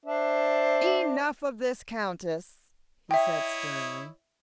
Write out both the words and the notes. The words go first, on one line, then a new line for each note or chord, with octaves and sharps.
"Enough of this, Countess," he said sternly.
D4 C5 E5
E4 C#5 D#5 E5 G5